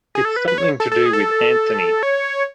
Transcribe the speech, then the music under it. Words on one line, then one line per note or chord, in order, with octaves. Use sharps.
It's something to do with Anthony.
G#4
A4
B4
B4
C#5
A4
A4
G#4
A4
C#5